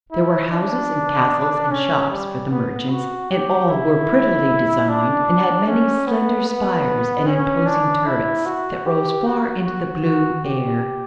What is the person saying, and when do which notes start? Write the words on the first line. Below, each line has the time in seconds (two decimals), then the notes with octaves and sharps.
There were houses and castles and shops for the merchants and all were prettily designed and had many slender spires and imposing turrets that rose far into the blue air.
0.12 E4
0.52 D4
1.72 C#4
2.10 G3
2.51 B3
2.90 F#4
3.30 G4
3.69 E4
4.89 D4
5.68 C#4
6.08 B3
6.48 B3
7.27 C#4
7.67 D4
8.07 E4
8.46 F#4
8.86 G4
9.26 F#4
9.65 F#4
10.05 F#4
10.44 G4